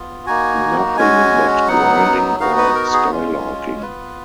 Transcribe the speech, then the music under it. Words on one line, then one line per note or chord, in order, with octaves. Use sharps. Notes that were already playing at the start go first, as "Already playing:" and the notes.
Nothing but grinding or skylarking.
Already playing: B3 F4
A#3 D#4 F#4 G#5
G#3 C#4 F#4 G#5
F#3 B3 D#4 F#5
B3 D#4 F#4 F5
B4
A#4
G#4
G#3 C#4 F4
B3 F4 B4